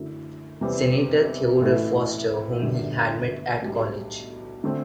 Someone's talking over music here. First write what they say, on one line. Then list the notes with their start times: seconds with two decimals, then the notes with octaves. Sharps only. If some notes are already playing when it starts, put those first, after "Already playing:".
Senator Theodore Foster, whom he had met at college.
Already playing: F#2 D3 A3 E4
0.61 E2 C3 E3 G3 C4
1.61 A1 A2 E3 A3 E4
2.62 G1 F#2 D3 G3
3.62 B1 A2 G3
4.64 D3 A3 C4